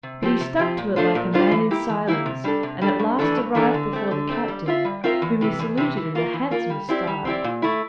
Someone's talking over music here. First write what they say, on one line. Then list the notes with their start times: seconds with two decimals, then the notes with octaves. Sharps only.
But he stuck to it like a man in silence, and at last arrived before the captain, whom he saluted in the handsomest style.
0.03 C3
0.22 F3 C4 G4
0.40 C3
0.59 F3 C4 G4
0.78 A#2
0.96 A3 D4 F4 C5
1.15 A#2
1.33 A3 D4 F4 C5
1.51 E3
1.71 A#3 E4 G4
1.89 E3
2.07 A#3 E4 G4
2.26 C3
2.44 G3 D4 A4
2.63 C3
2.81 G3 D4 A4
2.99 G2
3.18 E3 A3 D4 A4
3.37 G2
3.55 E3 A3 D4 A4
3.74 D3
3.93 A3 C4
4.11 D3
4.29 A3 C4
4.48 G3
4.66 C4 F4 A#4 E5
4.85 G3
5.04 C4 F4 A#4 E5
5.22 E2
5.41 C3 E3
5.59 E2
5.77 C3 E3
5.97 E3
6.15 A#3 F4 A#4
6.33 E3
6.51 A#3 F4 A#4
6.70 G3
6.89 C4 E4 G4 D5
7.07 G3
7.25 C4 E4 G4 D5
7.44 A#2
7.62 A3 E4